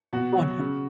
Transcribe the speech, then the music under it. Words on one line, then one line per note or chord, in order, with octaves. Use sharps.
Go on ahead.
B2 F#4
F#3
C#3